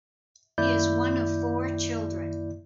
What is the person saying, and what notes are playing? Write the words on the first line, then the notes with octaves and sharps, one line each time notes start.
He is one of four children.
F#2 D#3 A#3 E4 D5 G6